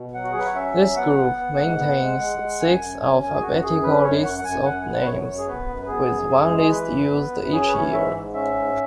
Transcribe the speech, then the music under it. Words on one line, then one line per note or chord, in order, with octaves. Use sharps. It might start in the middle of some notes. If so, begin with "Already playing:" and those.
This group maintains six alphabetical lists of names, with one list used each year.
Already playing: B2
F#3 F#5
F#4
G#4
F#3 B4
C#5
C#4 E5
F#3
B3 F#5
B3
B3
G#2
B3
G#3
G#3
G#3
F#2 G#5
F#2
C#4 G#5
F#2 G#5
G#4
F#2 F#4
F#2 G#4
C#4 B4
F#2 C#5
F#2 F#5
F#5
F#2 G#5
F#2 F#5
G#5
B3 F#5
B4
F#2 C#5
F#2
G#4
B3 B4
F#2
B4
B3 G#4
F#2
F#2
G#3
G#4
E3 B4
F#2
B3
F#2
B4
C#4 G#4
B4
E3 C#5
G#2 E5
G#2
C#4 E5
G#2